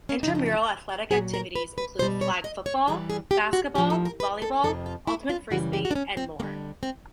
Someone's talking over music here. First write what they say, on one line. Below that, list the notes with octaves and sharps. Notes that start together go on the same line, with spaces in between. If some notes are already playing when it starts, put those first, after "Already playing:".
Intramural athletic activities include flag football, basketball, volleyball, ultimate frisbee, and more.
C#4
F#2 C#3 F3 D#4
D#4
E4
G4
A#2 F#3 G#4
A#4
B4
B4
B2 G3 C5
C#5
D#5
C#5
G2 E3 G3 G#4
G#4
G4
F#4
A2 F3 G4
A4
A#4
B4
A4
F2 C3 F3 A4
F4
E4
F4
F#2 C#3 E3 G3 F#4
G4
F#4
D4
C#4
C4
F2 D3 G3 A#3
C4